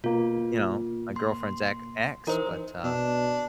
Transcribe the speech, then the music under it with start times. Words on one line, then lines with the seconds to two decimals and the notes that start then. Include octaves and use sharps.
you know my girlfriend's ex ex. But, uh
0.04 B2 A#3 F4
1.16 C6
2.27 E3 D#4 A#4 C5
2.84 B2 D4